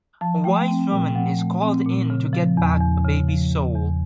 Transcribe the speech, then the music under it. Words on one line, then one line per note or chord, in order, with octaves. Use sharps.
A wise woman is called in to get back the baby's soul.
F3 A5
A3 G5
C4
A#2 G5
F3 F#5
A3
C4
A#2
C#3
F3
E2
E2
C#3
F3
E2
E2